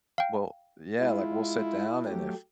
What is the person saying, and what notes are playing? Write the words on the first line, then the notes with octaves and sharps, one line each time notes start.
Well, yeah, like we'll sit down and if,
F5 G5
G#3 E4 F4
F#3 A3 G4